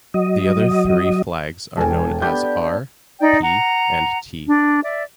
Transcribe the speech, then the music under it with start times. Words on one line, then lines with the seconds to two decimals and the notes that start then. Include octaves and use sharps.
The other three flags are known as "R", "P" and "T".
0.14 F#3 D#5
1.77 E1 A4 A#4 G#5
1.90 G5
2.22 B3 D4 G4 G6
3.20 D#4 D5 G5
3.42 F#5 A#5
4.46 D4
4.83 D5 E5